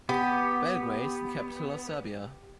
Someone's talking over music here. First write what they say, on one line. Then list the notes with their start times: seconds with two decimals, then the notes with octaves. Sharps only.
Belgrade is the capital of Serbia.
0.09 B3 G4